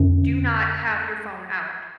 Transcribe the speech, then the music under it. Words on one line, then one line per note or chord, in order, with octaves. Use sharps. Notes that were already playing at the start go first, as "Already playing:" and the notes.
do not have your phone out."
Already playing: F2 D3 C#4